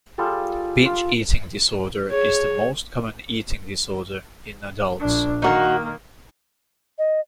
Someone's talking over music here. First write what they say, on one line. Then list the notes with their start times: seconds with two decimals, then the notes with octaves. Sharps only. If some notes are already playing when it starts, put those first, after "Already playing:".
Binge eating disorder is the most common eating disorder in adults.
0.18 G3 F4 G#4 A4
0.85 F4 F5
2.11 G#4 C#5
5.00 A#1 D4
5.42 D#3 A#3 D#4 F#4 A#4
6.99 D#5